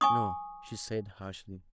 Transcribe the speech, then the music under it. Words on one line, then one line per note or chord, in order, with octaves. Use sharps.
"No!" she said harshly.
G#5 C#6 D#6